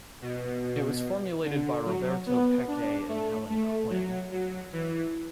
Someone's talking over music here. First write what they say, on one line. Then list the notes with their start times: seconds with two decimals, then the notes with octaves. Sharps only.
It was formulated by Roberto Peccei and Helen Quinn.
0.22 B2
1.44 D3
1.85 F#3
2.26 B3
2.68 D4
3.08 A3
3.49 A3
3.90 F#3
4.32 F#3
4.73 E3